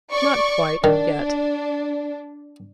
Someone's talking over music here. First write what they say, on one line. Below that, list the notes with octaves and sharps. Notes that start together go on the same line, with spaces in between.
'Not quite, yet.
D5 C#6
D#3 D4